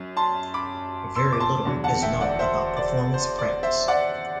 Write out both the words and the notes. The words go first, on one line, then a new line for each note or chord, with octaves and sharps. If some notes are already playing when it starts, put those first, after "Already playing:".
Very little is known about performance practice.
Already playing: F#2
A5 C6
B5 D6
C6 E6
D6
A5 C6
E2 D3 F#3
F#5 A5
E5 G5
D5 F#5
C5 E5
D5
C5
D5
C5 E5
D5 F#5